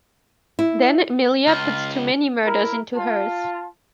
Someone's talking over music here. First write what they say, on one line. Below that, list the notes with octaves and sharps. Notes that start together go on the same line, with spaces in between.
Then Emilia puts too many murders into hers.
E4
C#2 F4
E4 A#4
F4 A5